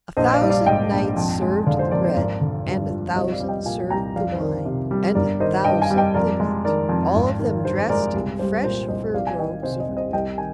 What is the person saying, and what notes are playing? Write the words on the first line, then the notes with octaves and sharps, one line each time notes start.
A thousand knights served the bread, and a thousand served the wine, and a thousand the meat--all of them dressed in fresh fur robes of ermine.
A#1 C5 D#5
D5 F5
G3
D5 F5
G#2 D#5 G5
A#1
F2
G#3
D3 D5 F5
C5
F2 A#4 D5
C5
G#1 A#4 D5
D3
G2
F3
C2 C5 D#5
D5 F5
G3
D#5 G5
A#2 F5 G#5
C2 G5 A#5
F2 D5 F5
C5
D#3 A#4 D5
C3
G3
G1 A#4 D5
D#3 C5 D#5
G2 D#5 G5
F5 G#5
G3
D#5 G5
F2 A#4 D5
G#3
D#3 A#4 D5
F2
G#1
D#3
G2 C5
G#3 A#4 D5
C2
G3 C5
A#2 C5
C2 C5 D#5
C2 D5 F5
G#5
D#3 D#5 G5
C3 C5 D#5
C5 D#5
C2
C5 D#5
C2 D#5 G5
D#3 G#5